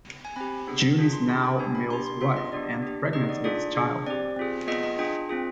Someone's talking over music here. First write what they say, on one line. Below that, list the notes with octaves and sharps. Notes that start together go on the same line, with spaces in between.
June is now Mill's wife and pregnant with his child.
G#5
C4 G4 B5
B3 D4 G#4
D4 F4 G#4
C6
D4 G#4 B5
G5
B3 D4 G4 G#5
B5
D4 G4 C6
C6
B3 D4 F4 G#4 C6
D#5
B3 D4 G4 D5
D4 G4
B3 D#4 G#4 D#5
D5
D4 F4 G#4 D5
D4 G#4
C4 G4 D5
C4 F4 G#4
B3 F4 G#4 D#5
D#5
D4 F4 G#4 G5
C4 F4 G#4